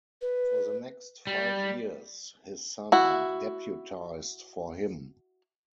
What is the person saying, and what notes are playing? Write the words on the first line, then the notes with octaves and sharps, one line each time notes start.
For the next five years his son deputised for him.
B4
G3
E4 F#4